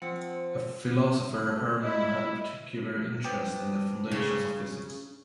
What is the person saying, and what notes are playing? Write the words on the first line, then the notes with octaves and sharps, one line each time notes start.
As a philosopher, Hermann had a particular interest in the foundations of physics.
F3 C4 F#5
E4 D#5
B3 C4 D4
C#3